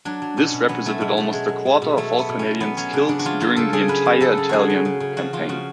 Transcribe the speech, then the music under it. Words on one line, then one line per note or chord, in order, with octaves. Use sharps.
This represented almost a quarter of all Canadians killed during the entire Italian Campaign.
F#3 D4
F#3
B2 C#4
B2
F#3 B3
F#3 A3
B2 G#3
B2 A3
F#3 G#3
F#3
B2
B2
F#3 A3
F#3
B3
B2
C#4
B2
F#3 B3
F#3 C#4
C#3 D4
C#3 D4
F#4
F#3 F4
F#3 F4
C#3 A4
C#3 G#4
F#3 B4
F#3
C#3 A4
C#3
F#3 F#4 G#4
F#3
C#3
C#3
F3 F#4
F3 F4
C#3 F#4